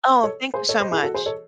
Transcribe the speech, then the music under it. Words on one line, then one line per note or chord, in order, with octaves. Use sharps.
Oh, thank you so much.
A4 C#5
G#4 C5
A4 C#5
C5 D#5
E4 G#4
F#4 A4
G#4 C5
A4 C#5